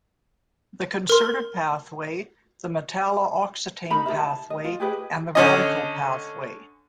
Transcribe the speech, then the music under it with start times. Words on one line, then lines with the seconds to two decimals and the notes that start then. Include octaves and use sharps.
The concerted pathway, the metalla oxetane pathway and the radical pathway.
1.09 A#4 C6
3.91 D#4 A#4 B5
4.06 D#4 G#4 A#4 E5
4.19 A5
4.50 D#5
4.64 F4
4.80 G4 G#4 B4 D#5
5.35 D3 C#4 D#5